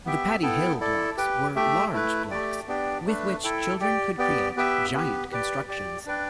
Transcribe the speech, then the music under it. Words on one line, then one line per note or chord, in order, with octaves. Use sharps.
The Patty Hill blocks were large blocks with which children could create giant constructions.
B3 G4 E5 G5
B3 E4 A4 G5
E4 A4 D5
G4 B4 G5
A3 G4 E5 G5
A3 E4 B4
A3 G4 D5 G5
B3 D4 G4 D5 G5
A3 D4 B4
E4 A4 G5
G4 D5 G5
B3 G4 D5 G5
B3 G4 B4 E5 G5
B3 G4 B4
G4 B4 D5 G5
G4 D5 G5
D4 B4 D5 G5